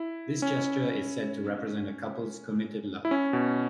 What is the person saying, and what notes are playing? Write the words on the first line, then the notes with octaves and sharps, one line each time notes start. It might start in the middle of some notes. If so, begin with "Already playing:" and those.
This gesture is said to represent a couple's committed love.
Already playing: E4
C#4
E4
C#4
B2